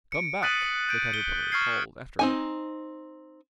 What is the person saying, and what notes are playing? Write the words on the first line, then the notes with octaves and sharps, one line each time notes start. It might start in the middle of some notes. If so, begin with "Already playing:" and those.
'Come back!' the Caterpillar called after her.
C#7 D7
D#6 F#6 A6 B6 D#7 F#7
G6 D7
G7
C#6 F6 G#6 C7
C4 D#4 G#5